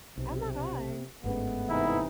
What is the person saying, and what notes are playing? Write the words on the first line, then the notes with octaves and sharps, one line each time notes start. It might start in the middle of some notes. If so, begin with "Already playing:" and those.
Oh my god.
B1 C3
G1 G#2 G#3 A3 B3 C#4
C3 E3 D#4 E4